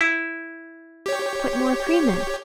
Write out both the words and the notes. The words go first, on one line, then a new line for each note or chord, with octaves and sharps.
Put more cream in.
E4
G4 C#5